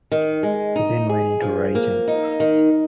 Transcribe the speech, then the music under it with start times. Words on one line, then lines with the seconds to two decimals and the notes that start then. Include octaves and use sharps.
He then went into writing.
0.12 D#3
0.43 G#3
0.76 D#4
1.09 G#4
1.42 F3
1.75 A#3
2.08 D#4
2.40 D#3